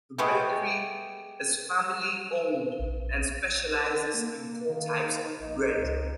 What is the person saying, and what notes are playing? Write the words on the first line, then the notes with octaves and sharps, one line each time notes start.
The bakery is family-owned and specializes in four types of bread.
G#3 A3 B3 G4
A#1
A#3
D#3 A#3
D#4
A#1 D#4
C#2